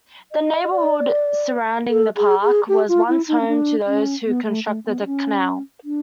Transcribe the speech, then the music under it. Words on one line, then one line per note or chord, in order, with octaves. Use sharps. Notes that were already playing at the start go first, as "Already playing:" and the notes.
The neighbourhood surrounding the park was once home to those who constructed the canal.
D#5
D#5
D5
A4
G#4
G#4
G4
F4
E4
D#4
C#4
D4
C#4
B3
A3
A3
B3
D4
C#4
D4